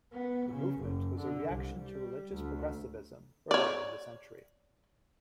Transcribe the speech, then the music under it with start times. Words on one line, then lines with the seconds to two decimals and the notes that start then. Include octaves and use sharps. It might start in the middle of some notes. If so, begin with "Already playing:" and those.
The movement was a reaction to religious progressivism earlier in the century.
0.12 B3
0.51 C#3
0.80 F#1
1.19 D3
1.50 C2
1.84 G3
2.34 D2
3.51 C#5 D5